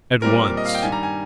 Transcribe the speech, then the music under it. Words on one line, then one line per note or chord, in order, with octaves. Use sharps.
At once.
A#2 G3 C4 A#4
D#5
F5
G5
G2 D#3 G3 G#5
A#5
G#5